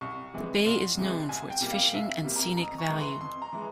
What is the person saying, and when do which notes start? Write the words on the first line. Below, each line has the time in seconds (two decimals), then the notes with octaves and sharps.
The bay is known for its fishing and scenic value.
0.01 C2 C#6
0.34 C3 E3 G#3
0.65 C2 C6
0.97 C3 E3 G#3
1.29 C2 G#5
1.50 G5
1.61 C3 G3 A#3
1.72 F5
1.94 C2 E5
2.24 C3 G3 A#3
2.36 A#5
2.57 F2 A#5
2.78 C#6
2.89 E3 G#3
3.00 C6
3.21 F2 C6
3.42 A#5
3.53 E3 G#3